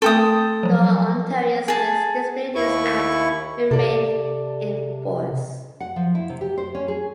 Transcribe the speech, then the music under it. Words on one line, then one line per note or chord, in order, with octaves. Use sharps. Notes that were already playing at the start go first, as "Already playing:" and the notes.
The Ontarians with Disabilities Act remains in force.
A3 C4 A4 G5 C6 D#6
F3 F#3
G#4 A5
D#2 E4 C#6
C3 A4 D5
F#5
F3
E4
C3
G4
C5
C#4
G#4